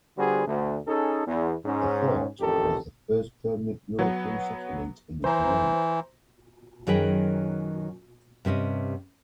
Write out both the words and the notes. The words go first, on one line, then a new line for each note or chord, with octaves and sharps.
The fort was the first permanent European settlement in Vermont.
D3 G3 B3 F#4 G#4 C5
D2
C#4 D#4 G#4 A4
E2
G#2 C#4
A1 F2 D#3 G4 A4 A#4
F#3 B3
E3 C5 A#5
F#2 D#3 F#3 G#4 B4 G5
G2 C3 C#4 D#5